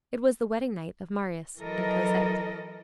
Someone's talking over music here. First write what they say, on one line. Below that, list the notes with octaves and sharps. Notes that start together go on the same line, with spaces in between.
It was the wedding night of Marius and Cosette.
E3 F#3 A4 A#4 D#5